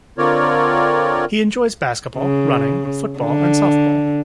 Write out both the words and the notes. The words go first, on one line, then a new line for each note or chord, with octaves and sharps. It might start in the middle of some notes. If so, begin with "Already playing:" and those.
He enjoys basketball, running, football and softball.
D3 C4 F4 A#4 C#5 D5
C#3
D3